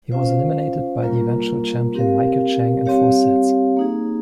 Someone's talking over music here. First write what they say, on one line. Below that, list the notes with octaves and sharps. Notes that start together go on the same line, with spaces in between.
He was eliminated by the eventual champion Michael Chang in four sets.
C#4 F4 C5 F5
G3 A#3 F4 A#4
C4 G4 A#4 F5
G3 C4 G4 C#5 F5
A#3 D#4 G#4